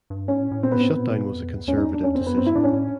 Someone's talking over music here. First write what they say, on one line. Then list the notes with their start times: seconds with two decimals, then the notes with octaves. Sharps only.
The shutdown was a conservative decision.
0.10 G2
0.28 G#2 C#4
0.40 A2
0.51 A2
0.63 A#2 C4
0.72 B3
0.75 A2
0.80 C4
0.87 G#2 B3
0.98 A#2
1.15 B2
1.33 F2
1.50 E2
1.68 E2 C#4
1.77 D#4
1.94 D4
2.03 F2 C#4
2.12 E2
2.15 C4
2.21 F2
2.26 F#2 B3
2.34 G#2
2.37 G2 C4
2.46 E4
2.55 A2 D4
2.64 C#4
2.73 A2